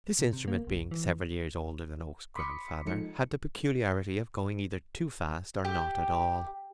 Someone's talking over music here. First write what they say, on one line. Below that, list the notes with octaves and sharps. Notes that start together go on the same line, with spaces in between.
This instrument being several years older than Oak's grandfather, had the peculiarity of going either too fast or not at all.
C3
C3
A#3
B1
E3
B5 C6 D6 D#6 B6 C#7
F3 G#3 D#4 A4 C#7
G4